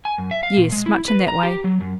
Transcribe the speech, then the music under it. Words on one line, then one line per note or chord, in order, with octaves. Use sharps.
'Yes, much in that way.
G#5
F#2
E5
F5
A#2
G#3
E4
B4
A#5
G4
F#3
F#2